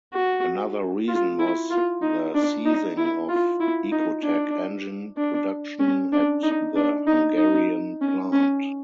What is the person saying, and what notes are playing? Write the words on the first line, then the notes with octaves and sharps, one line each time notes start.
Another reason was the ceasing of Ecotec engine production at the Hungarian plant.
F#4
F4
E4
F4
D#4
D4
D#4
E4
F4
E4
D#4
D4
D4
C#4
D4
D#4
D4
D#4
D#4
C#4
C#4